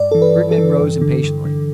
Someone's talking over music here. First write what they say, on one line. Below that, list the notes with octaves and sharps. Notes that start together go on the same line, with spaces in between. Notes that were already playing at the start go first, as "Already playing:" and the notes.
Fernand rose impatiently.
Already playing: G2 D5
E3 A4
B4
G2
A4
E3
G2
D3
G2
D3